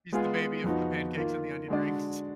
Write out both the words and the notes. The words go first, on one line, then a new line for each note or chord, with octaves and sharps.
She's the baby of the pancakes and the onion rings.
G#3 B3 F4 G#4
F2 F3 B3 D#4 F#4
D#3 A#3 F4
D3 G#3 D4 F#4 D5